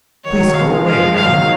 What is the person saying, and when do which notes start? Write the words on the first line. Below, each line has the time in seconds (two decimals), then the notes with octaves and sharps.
"Please go away, madam!"
0.24 D#3 F#3 C#5
0.54 F3 G#3 F5
0.86 F5
1.16 D#3 F#3 F5